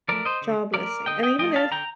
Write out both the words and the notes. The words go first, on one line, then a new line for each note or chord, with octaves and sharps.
job listing. And even if
F3 A3 A#4 D5
C5 D#5
D3
F3 A3 A#4 D5
D3 D#5 G5
D#5 G5
F3 A3 D#5 G5
F5 A5
D3 G5 A#5